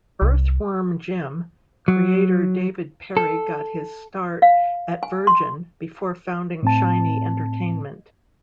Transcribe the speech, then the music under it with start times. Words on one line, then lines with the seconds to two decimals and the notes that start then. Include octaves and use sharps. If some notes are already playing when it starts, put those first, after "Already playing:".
"Earthworm Jim" creator David Perry got his start at Virgin before founding Shiny Entertainment.
0.22 C2
1.88 F#3
3.17 A4
4.42 F5
5.03 G#5
5.27 C6
6.63 A2 C4 A5